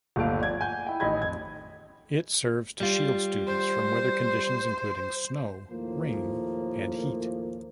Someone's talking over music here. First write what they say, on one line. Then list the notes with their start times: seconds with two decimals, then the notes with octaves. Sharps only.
It serves to shield students from weather conditions including snow, rain, and heat.
0.16 G1 D#2 A3 F5 D7
0.39 F3 D5 G#6
0.59 F#5 G#5 G6
0.87 E4 G5
1.00 A1 D#3 D#5 B5 G#6
1.22 F2 G#6
2.80 G3 F4
3.47 C5
5.69 D#2 A2 F3 A#3